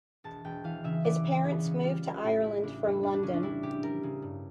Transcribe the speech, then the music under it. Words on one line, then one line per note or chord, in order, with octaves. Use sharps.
His parents moved to Ireland from London.
E1 A5
E1 G5
E3 F5
C#3 E5
E3 D5
C#3
E2
C#3
G3 F4
G3
A1 E4
G3 E4
C#3 D4
F2
F2 D4
D4
C#3 C#4
D4
G3 E4
C#3 G4
G3 A#4
C#3
G2